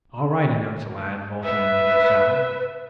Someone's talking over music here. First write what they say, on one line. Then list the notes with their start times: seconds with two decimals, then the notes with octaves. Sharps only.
"All right," announced the lad, vaulting into the saddle.
1.44 B4 E5